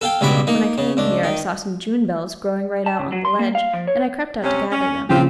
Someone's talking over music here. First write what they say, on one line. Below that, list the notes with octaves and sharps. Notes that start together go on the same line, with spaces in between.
When I came here I saw some junebells growing right out on the ledge and I crept out to gather them.
A4 F5 G5
C#2 G2 B2 B5 C#6 D6
A#3 D#4
C#3
C#2 D4
D#3
A5
C#3
F#3
C6
A#3
F5
F3
C#5
C3 C#4
C#4
A#2 C#3 F3 C4 F4 G4